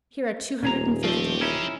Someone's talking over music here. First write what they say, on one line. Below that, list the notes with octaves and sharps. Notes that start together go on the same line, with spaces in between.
"Here are two hundred and fifty of them."
D#1 A#2 G#4 A#5
F3 A3 C4 G4
C#4 D#4 E4